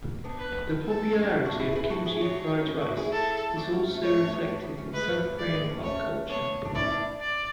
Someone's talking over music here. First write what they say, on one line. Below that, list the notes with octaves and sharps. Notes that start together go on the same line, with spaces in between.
The popularity of kimchi fried rice is also reflected in South Korean pop culture.
B3 D4
B4
A4
C#4
D4
C#4 E4
D4 F#4
E4 G#4
G#4 B4
F#4 A4
E4 G#4
D4 F#4 C#5
C#4 E4
D4 F#4
E4 G#4
A4
D4 F#4
C#4 E4
A3 C#4
G#3 B3 C#5
A3 C#4
B3 D4
D4 F#4
B3 D4
A3 C#4
G#3 B3 B4
F#3 A3
D3 F#3
E3 G#3 D5
G#3 B3
B3
A3 C#4
A3 C#4 C#5
B3 D4 C#5
D4
C#4 E4 D5
B3 D4
D5